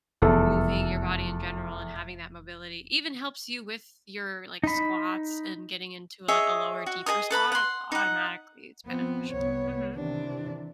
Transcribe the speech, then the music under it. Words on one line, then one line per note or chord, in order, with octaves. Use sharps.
moving your body in general and having that mobility," even helps you with your, like, squats and getting into, like, a lower, deeper squat, automatically, it's beneficial. Mhm.
F1 E2 A4
D#4 B5
G#4 C#5 D#5 E5
F#4
G#4 A#4 D#5 D#6
A4 B4 A#5 B5
F#5 C6
D#4 F#5
F3 B3 C4
C2 B3 C#5
C3 D#3 E3 D4